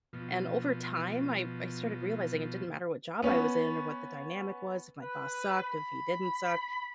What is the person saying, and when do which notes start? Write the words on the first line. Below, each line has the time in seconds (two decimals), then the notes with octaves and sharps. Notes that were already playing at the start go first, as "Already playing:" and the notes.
and over time I I started realizing it didn't matter what job I was in, or what the dynamic was, if my boss sucked, if he didn't suck.
0.13 B2 F3
3.22 B3 C#4
5.01 B4
5.63 B5